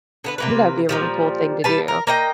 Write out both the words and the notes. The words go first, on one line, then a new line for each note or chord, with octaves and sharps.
I think that would be a really cool thing to do. It's
D3 B3 B4
C3 A#3 B4
A#2 F3 G3
G3 B4 A5
A#4
A#3 D#5 G5